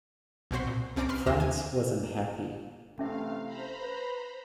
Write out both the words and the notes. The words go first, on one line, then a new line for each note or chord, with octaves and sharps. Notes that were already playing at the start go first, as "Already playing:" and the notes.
France was unhappy.
B1 B2 C4 F#4 C5 B6
A#2
C2 C4 C#4 D5 A#5 D7
B4 C6 F6
D#2 C4 F4 A#6 E7
G#5
C3 E3 A3 C#4 E5 F5
C5 A#5 B5
B4